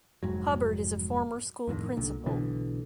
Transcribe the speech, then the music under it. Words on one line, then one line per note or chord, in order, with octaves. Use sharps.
Hubbard is a former school principal.
F1 F2 G#2 F#3
F2 A2 C3 D#3
C2 A#2 D3
B1 B2 D3 E3